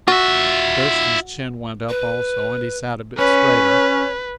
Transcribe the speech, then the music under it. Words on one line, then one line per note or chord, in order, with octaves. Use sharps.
Thurston's chin went up also, and he sat a bit straighter.
F4 F#4 E5
B4
C#4 B4 C#5